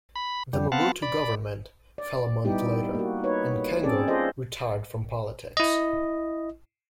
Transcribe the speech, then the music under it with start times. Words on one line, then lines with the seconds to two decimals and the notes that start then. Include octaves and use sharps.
The Mobutu government fell a month later, and Kengo retired from politics.
0.16 B5
0.53 F2 D3 G3
0.72 B3 C4 F5 F#5 A5
1.02 D5 B5
1.98 D5
2.45 G3 B3 D#4 E4 G4
2.95 A#3 F#4
3.23 D#4 B4 C#5
3.83 C4 C#4 G#4 A4 D5
4.08 F4 G#4 A4 C5 D#5
5.57 E4 D#5